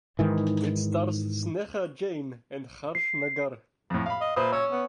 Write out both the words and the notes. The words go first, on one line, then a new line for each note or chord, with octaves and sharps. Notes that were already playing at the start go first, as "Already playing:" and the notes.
It stars Sneha Jain and Harsh Nagar.
G#2 D#3 E3
C7
F2 A2
F5 B5
D#5
A#2 B4 C5 E5 D#6
C#4 C#5 E6
B3